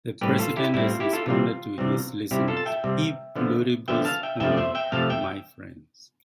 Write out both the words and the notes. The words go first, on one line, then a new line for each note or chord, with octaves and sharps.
The President responded to his listeners, "E pluribus unum", my friends.
A2 G3 C4 G4 B4
F4 A4
E4 G4
A2 G3 C4 E4
F4
E4 G4
F4 A4
C3 E3 G3 C4 F4
C3 E3 G3 C4
C3 G3 C4 E4 G4
F4 A4
A5
E5 G5
C3 G3 C4
D3 F3 B3
D3 F3 B3 E5 G5
F5 A5
E5 G5
F2 C3 F3 A3 E5 G5
D5
C5 E5
E5 G5
F2 C3 F3 A3 F5 A5
E5 G5